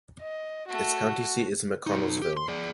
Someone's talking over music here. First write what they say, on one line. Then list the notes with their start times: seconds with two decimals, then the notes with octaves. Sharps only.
Its county seat is McConnelsville.
0.21 D#5
0.69 A3 F#4
1.87 B1 D#4
2.22 G4
2.37 C6
2.48 G#4 D5